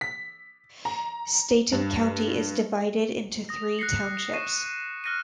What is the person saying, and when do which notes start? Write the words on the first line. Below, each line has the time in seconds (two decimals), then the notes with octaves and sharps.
Stanton County is divided into three townships.
0.01 B6
0.85 A#5
1.72 G2
3.49 D#6 A#6
3.79 F#6 A#6 C7 C#7
4.34 C#6 A#6 C7 D#7 E7
5.04 F6 F#6 A#6 C#7 D#7